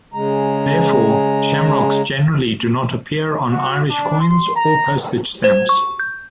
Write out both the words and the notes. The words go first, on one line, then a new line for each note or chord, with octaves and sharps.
Therefore, shamrocks generally do not appear on Irish coins or postage stamps.
C#3 G#3 A#5
F#4
D4
C6
A#5
C5
C#6
G6